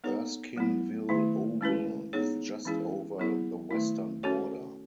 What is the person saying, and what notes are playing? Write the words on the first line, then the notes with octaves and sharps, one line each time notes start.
Erskineville Oval is just over the western border.
B3 D#4 A4 C#5
F#3 B3 E4
D#3 A3 E4
G#3 C#4 E4 B4
B3 D#4 G#4 C#5
E3 G#3 C#4 E4 G#4
F#3 B3 E4 G#4
D#3 A3 E4
C#4 F#4 A4 C#5